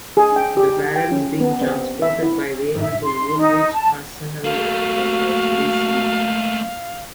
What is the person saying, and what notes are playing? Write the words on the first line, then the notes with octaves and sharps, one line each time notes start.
The barrels being transported by rail to Woolwich Arsenal where they were re-sleeved.
G#4
G5
G4
G5
C#4
B3
C4
E5
E4
E5
C6
D#4
A5
A3 A#3 F#4 F5